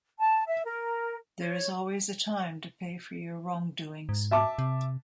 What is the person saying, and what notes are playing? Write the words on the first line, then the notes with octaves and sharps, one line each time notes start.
There is always a time to pay for your wrongdoings.
A5
E5
A#4
C#5
G#2
E5 A5 D6
C3